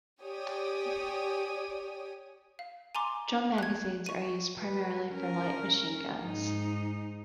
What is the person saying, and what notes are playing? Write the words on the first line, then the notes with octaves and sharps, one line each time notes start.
Drum magazines are used primarily for light machine guns.
G4 C#5 D5 G5 G#5 D#6
F5
G#5 A#5 C6 D6
F#6 G#6
C#6 D#7
B4
C#4 A#4
G#2 D#4